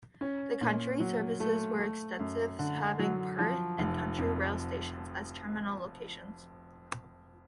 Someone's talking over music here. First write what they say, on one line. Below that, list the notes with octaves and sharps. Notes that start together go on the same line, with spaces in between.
The country services were extensive having Perth and country rail stations as terminal locations.
C#4
A#2
F#3
A3
A3
F#2
D3
F#3
F3
F1
F2